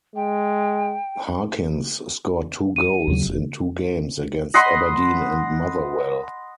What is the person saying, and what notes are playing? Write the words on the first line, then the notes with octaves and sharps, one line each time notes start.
Harkins scored two goals in two games against Aberdeen and Motherwell.
G#3 G5
D#7
D#2 C#3 F#3
E1
D#5 F#5 B5 C6